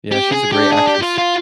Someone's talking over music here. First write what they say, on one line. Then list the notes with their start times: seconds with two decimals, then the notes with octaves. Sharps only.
Yeah, she's a great actress.
0.12 C4 G4
0.27 C4
0.32 C#4 G#4
0.52 D4 G4
0.72 G#4
0.88 G4
1.02 F4
1.18 F4